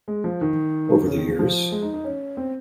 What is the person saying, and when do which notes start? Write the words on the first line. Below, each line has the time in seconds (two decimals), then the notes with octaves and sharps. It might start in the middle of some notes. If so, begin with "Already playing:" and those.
Over the years.
0.08 G#3
0.24 F3
0.41 D#3
1.06 C#3
1.17 D#3
1.28 F3
1.39 F3
1.72 G#3
1.83 D#4
1.94 D#4
2.04 C#4
2.37 C4